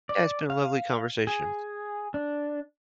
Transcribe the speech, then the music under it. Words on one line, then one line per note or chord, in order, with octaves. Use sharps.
yeah, it's been a lovely conversation.
D5
F5
G#4
D4